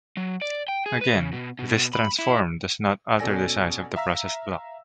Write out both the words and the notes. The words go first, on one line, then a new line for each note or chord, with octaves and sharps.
Again, this transform does not alter the size of the processed block.
F#3
D5
G5
G#4
B4
C#3
B2
B2
B2
B5
E4
B2 C#4 A4 D5 G#5 A#6
E5 F5 A#5 E6 B6